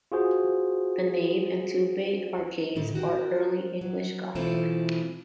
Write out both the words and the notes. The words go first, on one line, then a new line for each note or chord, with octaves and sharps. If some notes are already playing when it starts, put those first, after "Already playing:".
The nave and two-bay arcades are Early English Gothic.
F4 F#4 G#4 C5
A2 D3 D#3
F#4 G4 A#4
F#3
B2 E3 A3 C4 E4 F4